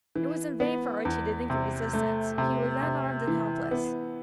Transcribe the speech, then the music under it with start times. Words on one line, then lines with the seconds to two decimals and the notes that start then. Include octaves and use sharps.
It was in vain for Archie to think of resistance, he was unarmed and helpless.
0.16 E3
0.60 B3
1.05 E2
1.50 C3
1.93 A3
2.38 C3
2.83 C3
3.28 E3
3.71 B3